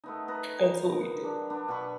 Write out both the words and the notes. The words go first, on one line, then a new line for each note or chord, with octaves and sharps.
that's what we do.
A3 B3 D#4
B3 B4 A5 A#5
D#3
F#3 D4
B3 D4
B2 F#5 B5 C#6